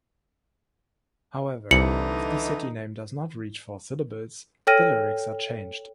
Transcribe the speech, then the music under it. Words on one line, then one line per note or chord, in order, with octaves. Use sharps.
However, if the city name does not reach four syllables, the lyrics are changed.
C2 D3 E3 D#4 C#7 F#7
A4 C#5 G5 F6 A#6 D#7